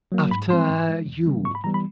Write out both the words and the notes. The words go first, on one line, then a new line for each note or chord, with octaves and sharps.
"After you!"
F#3 A#3
G#2 B5
F3 G#3 C4 C6
G#2
E3 G#3
E2
C#3 E3 G3 B3
G#2 C#6
B5
E3 G3 B3 A#5
B5